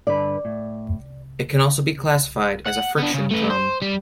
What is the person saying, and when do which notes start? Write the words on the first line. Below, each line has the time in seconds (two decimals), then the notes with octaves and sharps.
It can also be classified as a friction drum.
0.07 G2 D3 B4 D5
0.45 A2
2.67 F#5
2.98 B3 D4
3.14 C#3
3.31 A3 B4
3.50 C5
3.82 G3